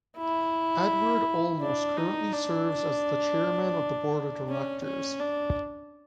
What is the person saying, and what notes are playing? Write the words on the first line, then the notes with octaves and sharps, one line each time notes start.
Edward Olmos currently serves as the Chairman of the Board of Directors.
E4
D4
D#4
D4
C#4
C#4
D4